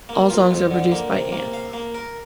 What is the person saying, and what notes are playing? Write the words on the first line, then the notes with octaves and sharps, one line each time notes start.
All songs are produced by Ant.
A#3
F4
F2
D3
A#3
C3
A#3
F5
A#3
A#4